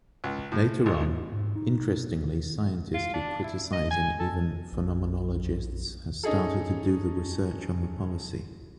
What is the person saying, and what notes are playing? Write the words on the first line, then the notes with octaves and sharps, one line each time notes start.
Later on, Interestingly scientist who criticize and even phenomenologists has started to do the research on the policy.
C#2
A2
G#1
G#2
D#4
B2
D#3
F4
D4
E4
D#5
G#5
A4
A#1
C#4 D#4 G#4 A4